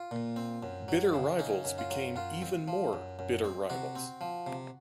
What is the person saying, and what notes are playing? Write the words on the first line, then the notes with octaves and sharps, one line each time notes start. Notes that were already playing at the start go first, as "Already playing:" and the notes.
Bitter rivals became even more bitter rivals.
Already playing: F4
A#2
C4
F#2
F#3
C#3
C#4 D#4
F#2
F4
F#3
F#2 F4
C4
F3
F#2
F#2
C4
C3 F#4
C4
F3
C3